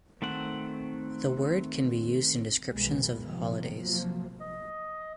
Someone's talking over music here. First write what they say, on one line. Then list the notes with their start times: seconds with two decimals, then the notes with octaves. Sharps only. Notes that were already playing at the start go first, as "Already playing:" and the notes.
The word can be used in descriptions of holidays.
0.22 D#3 A3 C4 F#5
2.73 B1 F#2 D#3 G#3 B3
3.27 C3 D#3 F3 B3
3.78 C3 F3 F#3 A#3
4.40 D#5